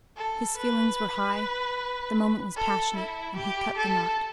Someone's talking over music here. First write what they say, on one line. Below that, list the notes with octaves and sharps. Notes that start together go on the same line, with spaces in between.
His feelings were high, the moment was passionate, and he cut the knot.
A4
B4
A4
E4
G4
A4